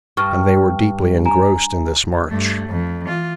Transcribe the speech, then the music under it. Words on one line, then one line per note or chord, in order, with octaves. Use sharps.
And they were deeply engrossed in this march.
G2 C#6 F6
G#5 A#5
G2 A3
F2
E3 F4